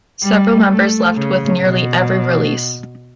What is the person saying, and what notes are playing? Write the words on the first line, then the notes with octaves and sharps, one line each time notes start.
Several members left with nearly every release.
G3
A3
C#3
B2